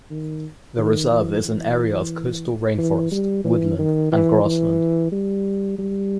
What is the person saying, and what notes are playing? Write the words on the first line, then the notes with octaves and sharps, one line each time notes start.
The reserve is an area of coastal rainforest, woodland and grassland.
D#3
D#3
E3
E3
E3
G3
E3
D#3
E3
E3
G3
G3